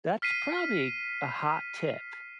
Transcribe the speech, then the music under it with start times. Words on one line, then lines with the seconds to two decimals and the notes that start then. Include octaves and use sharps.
that's probably a hot tip.
0.22 F6 B6 C7 D#7